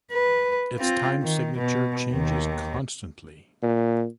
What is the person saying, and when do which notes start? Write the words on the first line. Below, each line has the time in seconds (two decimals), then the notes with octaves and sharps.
Its time signature changes constantly.
0.12 B4
0.79 C4 F4
1.22 D#3
1.57 B2
2.11 D#2 D#3
3.63 A#2